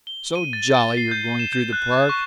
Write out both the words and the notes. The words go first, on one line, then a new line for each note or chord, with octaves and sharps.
"So jolly you're going through the Park."
G7
D#7
A6
G7
C7
G6
E7
G6
F#6
C#6